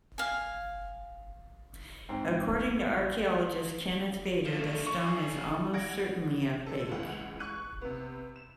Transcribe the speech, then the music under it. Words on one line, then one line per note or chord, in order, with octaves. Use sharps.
According to archaeologist Kenneth Feder, the stone is almost certainly a fake.
F5 G#5
G#2 C4
F3 A3
C#6
A4 G#5
F#5 G#6 A#6 D7
A4
F#1 C#2 E3 F#5
C#6 F#6 D#7
C3 B3
E7